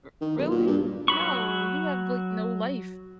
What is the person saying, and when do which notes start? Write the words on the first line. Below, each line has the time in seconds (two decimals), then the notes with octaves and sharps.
r really? No, you have, like, no life.
0.21 D#3
0.38 B1
0.51 A#2
0.67 G2
1.08 F#3 B5 C#6